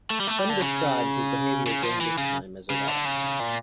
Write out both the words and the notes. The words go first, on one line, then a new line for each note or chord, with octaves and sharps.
Some described his behaviour during this time as erratic.
A3
G3
A3
G3
D3
C#3
C#3
F3
E3
C#3
C#3
D3
C#3
A#2